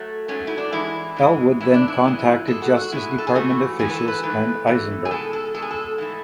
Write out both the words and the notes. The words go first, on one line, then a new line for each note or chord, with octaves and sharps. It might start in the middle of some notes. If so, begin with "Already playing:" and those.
Elwood then contacted Justice Department officials and Eisenberg.
Already playing: F#3 A3
G#2 F#3 A3 C#4
E4
D4
G#2 E3 G#3 E4
G#2 E3 G#3
F#2 E3 G#3 E4
D4
E4
F#2 E3 G#3
G#2 G#3 A4
F#4
F#4
G#2 G#3 E4
A4
G#4
G#2 E3 A3 F#4
G#2 E3 A3 G#4
B4
A4
B4
G#2 E3 A3 B4
G#2 E3 A3
G#4
B2 G#3 A4
A4
B2 G#3 A4
G#4
A4
G#2 E3 A3